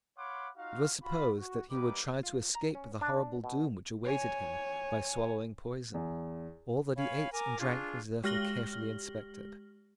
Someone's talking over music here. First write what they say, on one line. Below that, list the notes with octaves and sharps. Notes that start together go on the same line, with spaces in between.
It was supposed that he would try to escape the horrible doom which awaited him by swallowing poison. All that he ate and drank was therefore carefully inspected.
C#5 F5 F#5 B5 C6 D6
D#4 F4 F#4 F5
F4 F#4 F5 B5
F#4
G3 A#3 D#4 G4 B4 D6
F4
A#5
C#4
D4
B2
C#5 G#5
E2
C#5 F5 G#5 B5
A#4 G#5 A#5 D6
D4 F4 G#4 C#6
G#3 G4 F6 A#6 F#7 G7